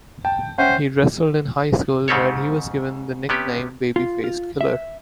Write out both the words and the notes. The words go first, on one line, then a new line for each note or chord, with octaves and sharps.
He wrestled in high school, where he was given the nickname "Baby-Faced Killer".
G5 A5
C#4 C5 E5 F#5 G5
G#2 C#3 C4 C#4 A4 C#5
C3 B3 C#4 G4
F4
F4
E5